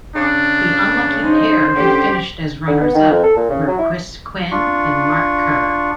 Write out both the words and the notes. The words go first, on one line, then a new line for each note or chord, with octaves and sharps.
The unlucky Pair who finished as runners-up were Chris Quinn and Mark Kerr.
C#3 D4
D#4 C5
D3 C#4 G4
D3
B3
D#3
F2
A4
A#2
C#3
F#3
E4
D4 F4 C#6